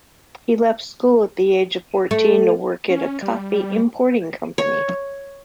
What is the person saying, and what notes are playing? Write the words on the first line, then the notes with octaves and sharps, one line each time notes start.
He left school at the age of fourteen to work in a coffee-importing company.
A3
C#4
G3
C#5